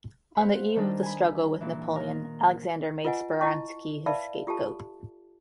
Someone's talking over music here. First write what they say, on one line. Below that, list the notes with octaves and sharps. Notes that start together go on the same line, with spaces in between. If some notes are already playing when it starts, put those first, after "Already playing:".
On the eve of the struggle with Napoleon, Alexander made Speransky his scape-goat.
B4 C5 F5 F#5 B5
D#3 G3 D4 D#4
G#5 B5
A#2 E3
D#3 A#4
F4 B4 D#5 F#5 G#5
E4 D#5 A5 C#6
B4 D5 E5 F5 A5 B5
F4 G4 A4 A5